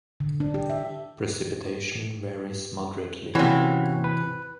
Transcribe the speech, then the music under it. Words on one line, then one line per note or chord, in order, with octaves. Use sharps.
Precipitation varies moderately.
D3
D4
G4
E5
C3 E3 A#3 C#4 F#4
B4